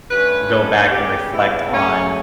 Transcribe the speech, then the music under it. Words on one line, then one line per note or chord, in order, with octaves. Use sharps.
go back and reflect on,
G2 D3 A3 C#4 B4
A4
C#3 G3 B3 G4
E4
C#3 F#3 A3 C#4